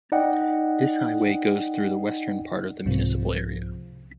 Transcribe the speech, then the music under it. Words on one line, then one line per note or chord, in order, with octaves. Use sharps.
This highway goes through the western part of the municipal area.
D#4 D5 D#5 F#5 G5
C2 G#2 C3 F3